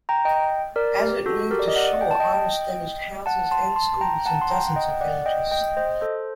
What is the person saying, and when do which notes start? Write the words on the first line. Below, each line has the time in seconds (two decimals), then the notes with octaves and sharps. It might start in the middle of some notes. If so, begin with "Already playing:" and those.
As it moved ashore, Iris damaged houses and schools in dozens of villages.
0.09 G5 A#5
0.25 D#5 G5
0.76 A#4 D5
1.00 G4
1.26 F#4 A4
1.51 G4 A#4
1.59 D5
1.68 D#5
1.76 D5 F#5
2.01 G5
2.11 A5
2.20 D#5 G5
3.26 F#5 A5
3.51 A5 C6
3.76 A5 C6
4.01 G5 A#5
4.26 F#5 A5
4.42 C6
4.51 G5 A#5
4.67 F#5
4.76 D#5 G5
5.01 D5 F#5
5.26 D#5 G5
5.51 D#5 G5
5.77 C5 D#5
6.01 A4 C5